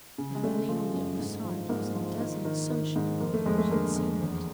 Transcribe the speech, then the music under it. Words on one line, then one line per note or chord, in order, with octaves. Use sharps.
The valley on the other side was in dazzling sunshine--she had seen that.
C#3
G#3
C#3 A3
F3
F#2
G#2
F3
G#2 A#3
F3
D#3
D#3
D#3
G#2
F2 A#3
A3
F2 G#3
A3
D3 A#3
F2
E2